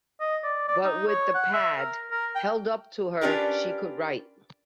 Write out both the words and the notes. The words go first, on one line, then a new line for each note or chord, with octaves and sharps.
But with the pad held up to her she could write.
D#5
D5
D5
D#4
C#5
F#5
E5
A#4
A#4
G5
C#4 D4 F4 G4 A#4 B4